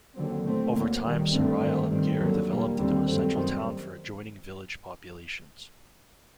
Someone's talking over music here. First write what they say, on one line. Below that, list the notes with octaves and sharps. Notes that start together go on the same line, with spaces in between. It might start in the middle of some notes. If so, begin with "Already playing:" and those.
Over time, Sarai Alamgir developed into a central town for adjoining village populations.
D#2 D3 F#3 C4
A2 A3 C4
D2 D3 F#3 A#3
D#2 D#3 G3
G2 D3 A3 C4
G2 D#3 A3 C4
G2 D#3 G3 C4
D#2 D3 F#3
A#2 G3 A#3
D#2 D3 G3 C4
G2 F#3 A3 C4
F#2 D#3 G3 C4